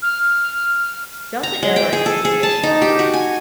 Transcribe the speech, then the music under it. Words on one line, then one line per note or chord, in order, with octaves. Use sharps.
Delta Air Lines was the initial operator.
F6
A#5
G#3
G5
G#4
A4
G#4
A5
D#4
G4
F#4
G#5